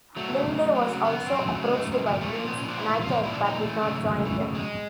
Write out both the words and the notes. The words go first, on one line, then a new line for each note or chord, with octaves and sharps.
Lindley was also approached by Leeds United but did not join them.
F#3 A3
C#3
F#2
F#2
F#3
C#3
F#2 B3
F#2
C4
F#3
C#3 A3
F#2 G#3
F#2 A3
A#2 G#3
F3 A3
A#2 A3
F3 A#3
A#2 B3
C#4
F3 D4
A#2 E4
F3
F4
A#2
F3 E4
A#2 D4
D#4
F3 A3
E3
C#3
F#2
F#2
E3
C#3
F#2 G#3